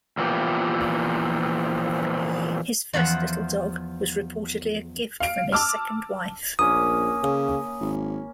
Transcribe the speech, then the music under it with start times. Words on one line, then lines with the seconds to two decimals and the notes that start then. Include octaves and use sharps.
His first little dog was reportedly a gift from his second wife.
0.18 E2 A#2 E3 F3 G4
2.93 E2 F3 C5 F#5
5.20 F5 D7
5.52 A5 D6 E6 F6
6.59 A#1 A#3 C#4 D#6
7.23 C#3
7.81 G#1